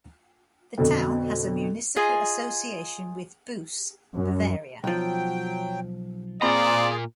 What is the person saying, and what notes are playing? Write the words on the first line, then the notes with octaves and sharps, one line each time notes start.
The town has a municipal association with Boos, Bavaria.
F2 B2 D3
F4 G#4 D#5 G#5
F#2
B1 F3 F#3 G5
A#2 A#3 C4 F4 G#4 D5 A#5 B5